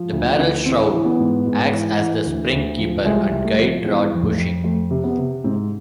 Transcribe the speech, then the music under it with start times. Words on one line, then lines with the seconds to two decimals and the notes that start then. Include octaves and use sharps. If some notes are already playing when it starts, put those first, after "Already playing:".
The barrel shroud acts as the spring keeper and guide rod bushing.
Already playing: F3
0.12 D2
0.39 D3
0.66 E3 C4
0.93 E3
1.05 B3
1.19 G#2
1.46 G#2
1.72 E3
1.99 E3
2.25 D2
2.52 D2
2.79 F3
3.05 C2 G#3
3.31 C2
3.44 A3
3.59 F3
3.85 E3 B3
4.11 F2
4.24 A3
4.38 F2
4.64 F2 A3
4.91 C3
5.04 B3
5.18 C3
5.44 G#2 C4